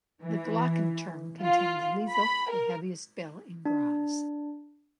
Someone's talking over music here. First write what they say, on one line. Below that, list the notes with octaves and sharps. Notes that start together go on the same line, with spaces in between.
The "Glockenturm" contains "Liesl", the heaviest bell in Graz.
E3
F4
B5
A#4
D4